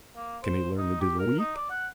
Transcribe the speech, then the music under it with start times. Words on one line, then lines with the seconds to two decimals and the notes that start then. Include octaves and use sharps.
Can he learn it in a week?
0.16 A#3
0.43 C5
0.78 D#4
1.01 G4
1.19 A#4
1.39 D#4
1.56 D5
1.70 F#5